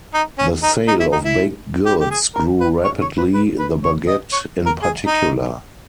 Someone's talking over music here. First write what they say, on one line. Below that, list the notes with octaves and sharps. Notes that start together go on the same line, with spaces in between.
The sale of baked goods grew rapidly, the baguette in particular.
D#4
C#4
D#4
D#4
E4
D#4
E4
G4
G4
G#4
A#4
B4
C#5
C#5
B4
B4
B4
C#5
D#5
C#5
A#4
G#4
D#4